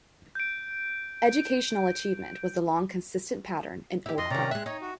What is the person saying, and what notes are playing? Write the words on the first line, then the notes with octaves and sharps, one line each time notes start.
Educational achievement was the long consistent pattern in Oak Park.
G6 D7
E4 G4
F2 D#5 C6
C3 D#3 C#4 D5 A#5
G#3 E5 F#6
D#4 C#5
F#4